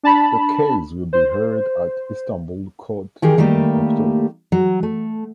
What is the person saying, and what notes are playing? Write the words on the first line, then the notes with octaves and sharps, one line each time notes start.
The case will be heard at Istanbul court in October.
D4 A5 B5
C5
D#3 G4 G#4 A#4
D#3 G3 A3 A#3 G4
F#3
A3